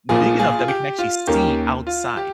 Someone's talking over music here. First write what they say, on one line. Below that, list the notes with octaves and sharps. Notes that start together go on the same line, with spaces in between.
big enough that we can actually see outside.
A#1 A#2 F3 F4 G#4
F4 G#4
F4
G4
F4
D#2 D#3 A#3 C#4 G4
F4
G4